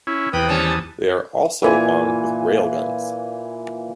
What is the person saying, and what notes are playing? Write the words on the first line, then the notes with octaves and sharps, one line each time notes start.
They are also armed with railguns.
C#4 E4
E2 C3 B4 G5 B5 D#6
D#2 G3 C#4 A5
A#2 E3 G#5